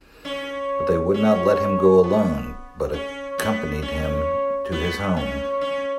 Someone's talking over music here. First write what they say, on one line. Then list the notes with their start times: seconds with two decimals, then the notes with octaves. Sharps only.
But they would not let him go alone, but accompanied him to his home.
0.25 C#4
1.14 C#4
2.04 B3
2.94 C#4
3.38 B3
3.82 C#4
4.72 B3
5.17 C#4
5.61 C#4